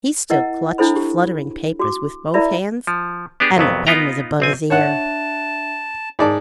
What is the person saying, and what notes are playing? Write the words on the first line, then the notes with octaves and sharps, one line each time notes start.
He still clutched fluttering papers with both hands and the pen was above his ear.
E4 A#4 D#5 F#5
D4 E4 A4 C5 B5
G4
F#4 D6
E4 A#4 D5 E5 B5
F3
B3 D4 G4 G#4
C2 F2 F#3 B3
B3 D#4 F4 B4 G5 A#5
B1 C4 G#5
D4 C#5 E5 F#5 A5
G#2 G#4 D5 A5